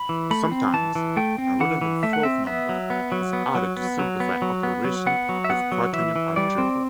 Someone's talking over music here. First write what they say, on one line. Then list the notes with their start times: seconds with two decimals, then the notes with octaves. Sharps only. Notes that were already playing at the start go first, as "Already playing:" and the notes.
Sometimes a redundant fourth number is added to simplify operations with quaternion algebra.
Already playing: B5
0.09 E3
0.31 A3 B5
0.51 C4
0.74 E3 A5
0.95 E3
1.17 A3 G5
1.38 C4
1.60 E3 F#5
1.81 E3
2.03 A3 E5
2.13 F#5
2.23 C4 E5
2.47 B3 E5
2.69 F#3
2.90 B3
3.12 F#3
3.33 B3
3.55 F#3
3.77 B3
3.99 F#3
4.20 B3
4.42 F#3
4.63 B3
4.85 F#3
5.07 B3 F#5
5.29 F#3
5.44 E5
5.50 B3 F#5
5.72 F#3
5.93 E3 E5
6.16 E3
6.36 G3 D5
6.58 C4